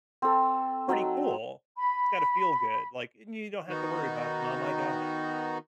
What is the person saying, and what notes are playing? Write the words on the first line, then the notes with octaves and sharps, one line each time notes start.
pretty cool. It's gotta feel good. Like, "And you don't have to worry about it, mom. I got it."
C4 A4
F#3 D#4
B5
D#3 B3 D#4 F#4